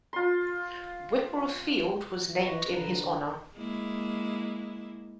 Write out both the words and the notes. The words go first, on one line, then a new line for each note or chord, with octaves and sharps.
Whipple Field was named in his honor.
F4 C6
B4 D#5 C#6
D3 F4 A#5
G#3 A#3 E4